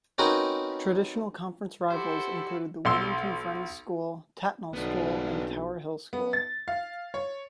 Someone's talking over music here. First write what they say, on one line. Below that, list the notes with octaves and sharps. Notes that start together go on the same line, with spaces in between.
Traditional conference rivals include the Wilmington Friends School, Tatnall School, and Tower Hill School.
C4 C#4 D#4 F#4 A#4 B4
E4 F#4 G4 A4 C5
B1 C6 E6
B1 B3 D4
B3
A6
F5
C#5